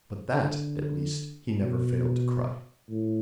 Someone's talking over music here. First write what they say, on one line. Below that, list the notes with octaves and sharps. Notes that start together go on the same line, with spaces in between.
But that, at least, He never failed to cry.
D3
B2
A2